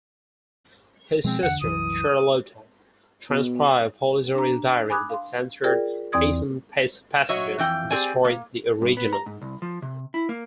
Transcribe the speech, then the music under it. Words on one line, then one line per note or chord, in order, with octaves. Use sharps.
His sister Charlotte transcribed Polidori's diaries, but censored "peccant passages" and destroyed the original.
B2 F3 G#3 C4
E2 D3 F#5
C2 F#2 E3 D#6
B2
D4 A#5
G#5 B5 D6 D#6 F#6 G#6
F5 C6
F4 G#4 A#4 D5 G5
E2 E3 C4 D5 D#6 G#6
F#3 C#5 D#5 E5
F2 E3 G5
C4 G4 G#4 D5 G#5
A#3
G2
B3
A#5
G#2
C2
F3
C3
E4
A#3